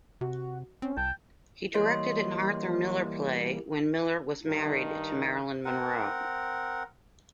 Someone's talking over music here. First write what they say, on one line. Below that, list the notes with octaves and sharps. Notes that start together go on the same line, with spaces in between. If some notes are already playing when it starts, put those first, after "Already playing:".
He directed an Arthur Miller play when Miller was married to Marilyn Monroe.
C3 F#4
C4 C#4
C2 G5 A5
E3 G3 A#3 C#5 D#5 C6
G2 D#3 D#4
C4 A#4 F#5